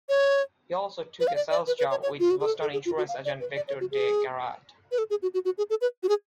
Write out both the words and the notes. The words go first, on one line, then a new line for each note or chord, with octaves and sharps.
He also took a sales job with Boston insurance agent Victor De Gerard.
C#5
B4
F5
D5
D5
B4
B4
C#5
C#5
F4
F#4
G#4
A4
A4
G#4
F4
F#4
F5
D5
B4
D5
C#5
F#4
G#4
B4
A4
G#4
F#4
F#4
F#4
G#4
A4
B4
F#4
G#4